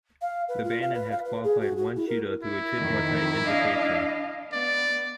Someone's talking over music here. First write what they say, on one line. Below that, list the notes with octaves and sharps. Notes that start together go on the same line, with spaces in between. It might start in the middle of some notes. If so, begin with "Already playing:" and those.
Lebanon has qualified one shooter through a tripartite invitation.
F5
B4
F4
F5
B4
F5
B4
G#4
F#4
F#4
E4
A#4
E4
F2 D#3
D4 D#5 F5
B3 D5